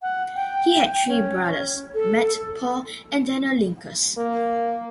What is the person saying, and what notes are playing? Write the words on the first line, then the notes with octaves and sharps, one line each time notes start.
He had three brothers: Matt, Paul, and Daniel Linkous.
F#5
G5
C#4
A4
A#3